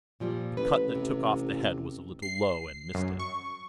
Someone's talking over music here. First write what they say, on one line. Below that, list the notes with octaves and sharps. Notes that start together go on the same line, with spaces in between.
The cut that took off the head was a little low, and missed it.
A#2 F3 G3
A1 B4
C3
C7
F#2
C#6